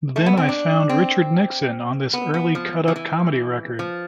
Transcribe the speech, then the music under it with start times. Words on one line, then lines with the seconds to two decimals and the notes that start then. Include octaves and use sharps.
Then I found Richard Nixon on this early cut-up comedy record.
0.16 A3
0.26 B3
0.37 C4
0.49 D4
0.89 C4
2.14 B3
2.34 B3
2.55 F3
2.88 F3
2.96 E3
3.79 F3